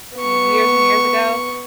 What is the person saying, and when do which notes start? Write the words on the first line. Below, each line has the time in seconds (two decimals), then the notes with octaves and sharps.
Years and years ago,
0.17 B3 C#6